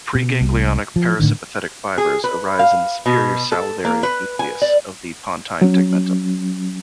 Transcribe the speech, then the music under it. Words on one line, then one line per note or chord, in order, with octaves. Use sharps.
Preganglionic parasympathetic fibres arise in the superior salivary nucleus of the pontine tegmentum.
B2
C2
F3
A2 D3 D#3
G#4
B4
F5
B2
A4
A#3
B4
G#5
D5
F#3 C#4